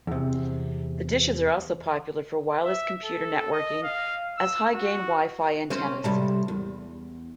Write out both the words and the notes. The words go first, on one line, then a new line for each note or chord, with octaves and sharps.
The dishes are also popular for wireless computer networking as high-gain Wi-Fi antennas.
E2 C3
E5
A4
D#5
F5
E6
F#4
C4 C#4 C5
C3 G3 A4
E2